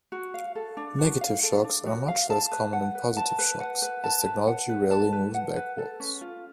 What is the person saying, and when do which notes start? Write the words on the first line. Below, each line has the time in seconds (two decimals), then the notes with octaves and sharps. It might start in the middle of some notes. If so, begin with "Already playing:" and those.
Negative shocks are much less common than positive shocks as technology rarely moves backwards.
0.12 F#4
0.34 F5
0.55 A4
0.77 D4
0.98 F#4
1.21 F5
1.43 A4
1.64 D4
1.86 F#4
2.08 F5
2.30 A5
2.52 B4
2.73 F#5
2.95 B4
3.17 A5
3.39 B4
3.60 F#5
3.82 B4
4.04 A5
4.26 B4
4.47 F#5
4.69 B4
4.91 A5
5.13 B4
5.34 F#5
5.56 B4
5.78 A4
6.00 C#4
6.21 F4